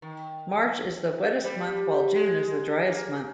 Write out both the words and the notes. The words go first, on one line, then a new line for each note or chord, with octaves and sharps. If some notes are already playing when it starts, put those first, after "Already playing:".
March is the wettest month while June is the driest month.
D#3
G3
G#3
A#3